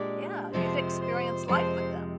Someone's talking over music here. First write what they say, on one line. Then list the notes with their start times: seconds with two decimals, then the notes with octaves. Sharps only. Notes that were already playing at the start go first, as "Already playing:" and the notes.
Yeah, you've experienced life with them.
Already playing: A#2 G#3 D4 G4 D5
0.53 F2 C3 F3 G#3 C5
1.00 C5
1.48 F2 C3 F3 G#3 C5